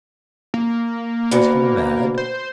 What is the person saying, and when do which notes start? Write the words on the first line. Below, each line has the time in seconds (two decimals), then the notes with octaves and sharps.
Was he mad?
0.54 A#3
1.31 D2 B2
2.18 C5